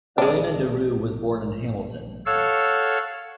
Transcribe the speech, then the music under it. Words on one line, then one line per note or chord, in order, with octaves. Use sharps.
Elena de Roo was born in Hamilton.
G#3 D4
A4 C#5 F5 F#5 E6